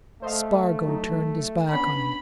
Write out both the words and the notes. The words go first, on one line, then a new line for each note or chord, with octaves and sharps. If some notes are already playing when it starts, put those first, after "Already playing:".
Spargo turned his back on him.
A3 C5 D#5 F5
F#3 D#4
B3 C#4 D4 B5